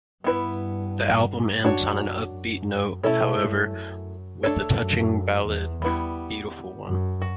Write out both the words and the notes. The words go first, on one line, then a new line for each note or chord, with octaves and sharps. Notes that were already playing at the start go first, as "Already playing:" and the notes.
The album ends on an upbeat note however, with the touching ballad, "Beautiful One".
G2 B3 E4 B4
F#2 D4 F#4 C#5
F#2
B2 A3 C#4 E4 A4 C#5
G2
F#2
A3 D4 A4 C#5
F#2
E2
G3 B3 E4
F#2
F#4